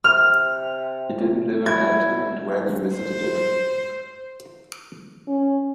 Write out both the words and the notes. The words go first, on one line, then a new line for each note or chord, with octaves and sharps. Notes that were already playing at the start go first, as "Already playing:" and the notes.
He didn't live in Elton and rarely visited it.
C3 F6
E4 G#6
C5
C#4